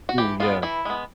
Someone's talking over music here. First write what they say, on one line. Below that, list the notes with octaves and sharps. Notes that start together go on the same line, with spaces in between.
Ooh, yeah.
F#4
E3 G4
G#3 B3 F4
E3 E4
G#3 B3